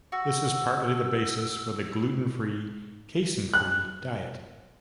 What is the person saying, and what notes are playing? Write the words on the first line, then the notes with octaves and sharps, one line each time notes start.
This is partly the basis for the gluten-free, casein-free diet.
F#4 E6
F#6